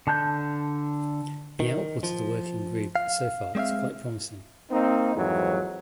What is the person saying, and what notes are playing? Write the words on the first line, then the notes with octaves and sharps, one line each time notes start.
The output of the working group so far is quite promising.
D3 A5 F#6 G6
D#3
F3
F5
G#3 C4 C#5 E5 F5
A#3 C4 D#4
F2 G#2 E3 F#3